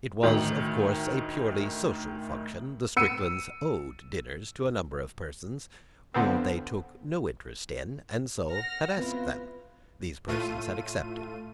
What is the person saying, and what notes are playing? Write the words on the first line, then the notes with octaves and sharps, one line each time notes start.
It was, of course, a purely social function. The Stricklands "owed" dinners to a number of persons, whom they took no interest in, and so had asked them; these persons had accepted.
D2 A2 D#3
E6 C#7 D#7
D3 F3 B3 C4
F#5 F6 A#6
B3 C4 E4 F4 B4
A2 A3 F4 D#7